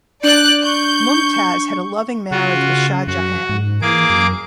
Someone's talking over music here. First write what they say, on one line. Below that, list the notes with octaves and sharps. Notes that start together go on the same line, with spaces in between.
Mumtaz had a loving marriage with Shah Jahan.
D4 D5 F#6 G6
C#6 G6
C#3 F4 F#4
F#2 F#4
G#2
E3 A#3 G#4 D6
F#2